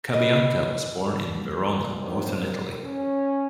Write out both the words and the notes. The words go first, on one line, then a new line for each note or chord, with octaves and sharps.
Cabianca was born in Verona, northern Italy.
B4 D#5
A#2 D#3 F#3 G3 C4 D4
C#4